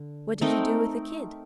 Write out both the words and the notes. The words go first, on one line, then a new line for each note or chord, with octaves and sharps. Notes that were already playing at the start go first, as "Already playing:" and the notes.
'What did you do with the kid?'
Already playing: D3
A3 C4 D#4 A#4